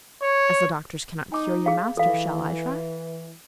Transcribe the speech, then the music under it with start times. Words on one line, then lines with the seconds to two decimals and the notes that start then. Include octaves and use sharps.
As the doctors cannot cure your master shall I try?'
0.22 C#5
1.32 D#4 G#5 D6
1.66 G#4 F5
1.97 E3 A4 F5